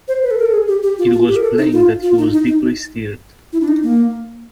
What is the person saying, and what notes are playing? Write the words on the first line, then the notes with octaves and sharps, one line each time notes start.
It was plain that he was deeply stirred.
C5
B4
A4
A#4
A4
G#4
G4
G4
F4
F4
G4
A#4
A4
D#4
F4
F4
D#4
D#4
D#4
E4
D4
D#4
A#3